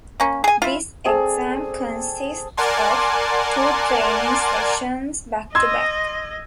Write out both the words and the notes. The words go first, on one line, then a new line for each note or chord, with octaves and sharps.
This exam consists of two training sessions back to back.
A#3 C#4
G#4 G#5
E4 F4
C4 G#4 A4 D5
A#4 D5 F#5 G#5 A5 C6
D#5 C6 E6 G#6